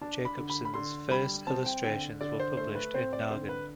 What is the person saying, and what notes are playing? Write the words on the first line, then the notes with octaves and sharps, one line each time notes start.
Jacobsson's first illustrations were published in Naggen.
D4 A5
B5
D3
B5
B5
D3 C6
G3 B5
C4 A5
G5
D3 G5
D3 D5
C5
A3 C5
B4
C4 C5
D5
D3 C5
B4